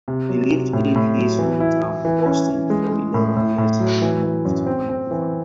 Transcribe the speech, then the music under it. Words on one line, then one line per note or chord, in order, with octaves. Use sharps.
They lived in his hometown, Boston, for eleven years and then moved to Vancouver.
C3
F#3
C3
A2
A2
F#3
E3
E4
E4
E3
C#4
E3
G#3
G#3
A2
A2
A2
F#3
E3
E3
F#2
C4
C4
E3